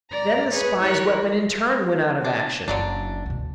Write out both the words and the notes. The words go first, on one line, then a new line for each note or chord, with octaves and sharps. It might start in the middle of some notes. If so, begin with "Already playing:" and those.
Then the spy's weapon in turn went out of action.
D5 A#5
G#4 B4 C#5
E4 A#4 C#5 F#6
D4
F#1 D3 F#3 D4 E4
D2 B2